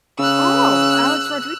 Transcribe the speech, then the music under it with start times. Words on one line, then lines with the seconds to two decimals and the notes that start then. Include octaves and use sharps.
Oh, Alex Rodri
0.19 C#3 E6 F#6